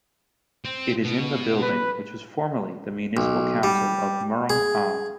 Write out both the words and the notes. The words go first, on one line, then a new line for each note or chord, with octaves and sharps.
It is in the building which was formerly the Municipal Council of Murang'a.
C4
B2
B4
B1
G3
G#4